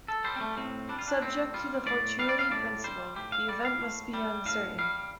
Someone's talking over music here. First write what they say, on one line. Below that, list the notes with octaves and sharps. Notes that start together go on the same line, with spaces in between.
Subject to the "fortuity principle", the event must be uncertain.
A4
G3 C5
C4
A3
A2 C4
G3 D4
F4
D4
A2 C4
G3 F4
A2 D5
G3 F5
D5
F5
A2 D5
G3 C5
A2 G4
F5
G3 D5
F5
A2
G3
A2 F5
G3 F5